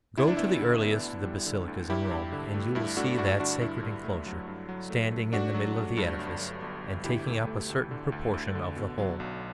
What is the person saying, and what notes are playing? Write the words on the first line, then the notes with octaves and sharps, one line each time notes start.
Go to the earliest of the basilicas in Rome, and you will see that sacred enclosure standing in the middle of the edifice and taking up a certain proportion of the whole.
D2 E4
D4
B3 E4
D3
B3
D2
G3
D3
D2
G2 E4 G4
G2
D3
A3
G2 E4
A3 D4 F#4
G2 D4 F#4
D3 D4 F#4
G2 E4
G2
A3
F#3
G2
F#3
A3
A3
A3 D4 F#4
F#3
A3
G2
G1
F#3
G1
G1
D2 E4 G4
A3
A3
D2
D3
D2
D2
D3
B2
F#3
B1